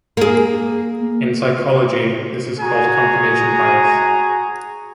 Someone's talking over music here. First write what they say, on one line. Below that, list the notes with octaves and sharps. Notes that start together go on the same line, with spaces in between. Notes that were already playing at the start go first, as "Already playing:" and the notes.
In psychology, this is called confirmation bias.
A#3 G#4
F#4 G#4 G#5 A#5